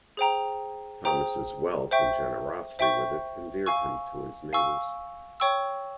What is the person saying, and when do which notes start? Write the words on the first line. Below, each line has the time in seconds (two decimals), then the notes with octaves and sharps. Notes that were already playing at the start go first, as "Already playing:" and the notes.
Thomas's wealth and generosity with it endeared him to his neighbors.
0.17 G#4 C5 G5 A#5
1.05 G#4 C5 G5 A#5
1.91 C5 E5 G5 C#6 G6
2.79 C5 E5 G5 C#6 G6
3.66 F5 G#5 C#6 E6
4.53 F5 G#5 C#6 E6
5.40 C#5 G5 C#6 E6